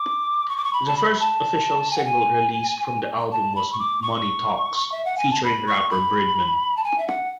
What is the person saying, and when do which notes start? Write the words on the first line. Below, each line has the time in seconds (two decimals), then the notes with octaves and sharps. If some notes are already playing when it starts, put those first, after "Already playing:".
The first official single released from the album was "Money Talks" featuring rapper Birdman.
Already playing: D6
0.49 C#6
0.57 D6
0.64 C#6
0.73 B5
0.87 A5
0.97 B5
1.20 A5
1.91 G#5
1.97 F#5
2.05 G#5
3.32 A5
3.55 B5
3.72 C#6
3.79 D6
4.02 C#6
4.92 E5
5.05 F#5
5.17 G#5
5.30 A5
5.44 B5
5.67 C#6
5.90 B5
6.77 A5
6.84 G#5
6.98 E5
7.08 F#5